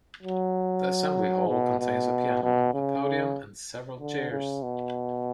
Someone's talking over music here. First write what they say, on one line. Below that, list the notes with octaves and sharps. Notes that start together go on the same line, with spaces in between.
The Assembly Hall contains a piano, a podium and several chairs.
F#3
B2
B2
B2
C#3
D3
C#3
B2